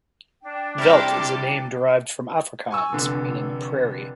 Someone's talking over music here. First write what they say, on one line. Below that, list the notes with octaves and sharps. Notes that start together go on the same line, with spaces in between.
Veldt is a name derived from Afrikaans, meaning "prairie".
D4 G5
C3 G3 C4 E4 G4 A4 A#4
G#5 C#6 E6
F1 D3